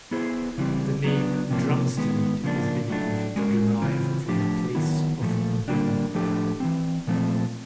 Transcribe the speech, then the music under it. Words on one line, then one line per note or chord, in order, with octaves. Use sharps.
The name Brumstead is believed to derive from the "place of broom".
B3 E4 G#4 C5
C#3 E3 G3 C4
F#3 B3 D4
C3 F3 A#3 C#4
D#3 G#3 B3
C#3 F3 A#3 D4
A2 F#3 A3 D4
G#3 C#4 F#4 A#4
C#3 E3 C4 F4
F3 A3 D4 G4
D#3 F#3 B3 E4
A#2 F3 A3
D3 G3 A#3 D4 G4
A2 F3 A3 D4 G4
E3 G3 C4
A#2 F3 A3 C4